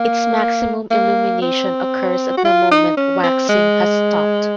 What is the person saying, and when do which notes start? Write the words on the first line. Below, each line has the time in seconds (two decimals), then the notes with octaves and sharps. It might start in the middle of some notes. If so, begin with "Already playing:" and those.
Its maximum illumination occurs at the moment waxing has stopped.
Already playing: A#3
0.91 A#3
1.42 C4
2.37 F#4
2.45 F4
2.71 D#4
2.97 C#4
3.23 C4
3.49 G#3